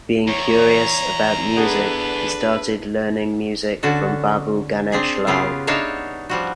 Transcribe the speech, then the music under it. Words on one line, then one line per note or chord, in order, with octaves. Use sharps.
Being curious about music he started learning music from Babu Ganesh Lal.
E2 C#5 A#5
B3 D4 G#4 A4 B4
D3 C#4 F#4 A4
C4 D4 G#4
C#3 B3 F4 G4 G#4
B3 D4 D#4 C#5 E5 F5
F3 G3 F#4